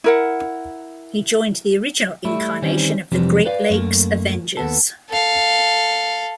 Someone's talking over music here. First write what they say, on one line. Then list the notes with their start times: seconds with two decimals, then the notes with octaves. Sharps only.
He joined the original incarnation of the Great Lakes Avengers.
0.04 E4 A#4 F#5
2.25 G3 A3 E4
2.62 D#3 E3 G3 C4 C#4
3.12 F2 C3 E3 F3 G3
3.45 B4 D5 F5
3.70 F#2 A3 A#3
4.57 D#2 B3 A4
5.10 A4 F5